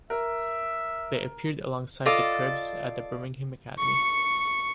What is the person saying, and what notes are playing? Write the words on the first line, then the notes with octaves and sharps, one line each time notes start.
They appeared alongside The Cribs at the Birmingham Academy.
A#4 E5
F4 A4 D5 D#5
C#6 C#7